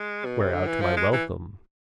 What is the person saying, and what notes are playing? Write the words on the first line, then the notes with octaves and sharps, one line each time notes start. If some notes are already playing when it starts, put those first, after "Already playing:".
Wear out my welcome.
Already playing: G#3
B2
C3
D3
E3
F3
G#3
E3